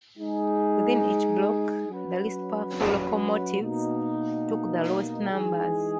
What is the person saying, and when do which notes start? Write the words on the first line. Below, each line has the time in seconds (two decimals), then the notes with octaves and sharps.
Within each block, the least powerful locomotives took the lowest numbers.
0.17 G#3 D#4 G#4
1.88 F#3 C#4 F#4 B4
3.59 B2 A#3 D#4
5.30 E3 G#3 D#4 G#4